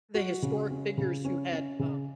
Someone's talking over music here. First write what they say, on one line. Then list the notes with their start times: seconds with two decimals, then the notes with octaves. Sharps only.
the historic figures who had, um,
0.14 F#4
0.42 C#3
0.71 C#4
0.98 C#3
1.25 C#4
1.52 C#4
1.79 C#3